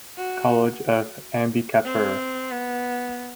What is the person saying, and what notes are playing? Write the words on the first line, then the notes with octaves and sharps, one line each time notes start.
College of Ambikapur.
F#4
C4
B3